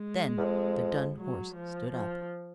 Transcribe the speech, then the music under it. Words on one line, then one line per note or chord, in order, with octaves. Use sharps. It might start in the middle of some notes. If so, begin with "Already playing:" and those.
Then the dun horse stood up.
Already playing: G#3
E2
F2
F#3
F3
F3